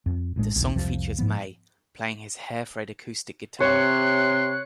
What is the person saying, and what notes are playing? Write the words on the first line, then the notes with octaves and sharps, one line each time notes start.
The song features May playing his Hairfred acoustic guitar.
F2
A1 A2 G#3 D4
A#1 D#2
C2 F2 C3 F3
G#2 F3 B3
C3 C#5 C6 F#6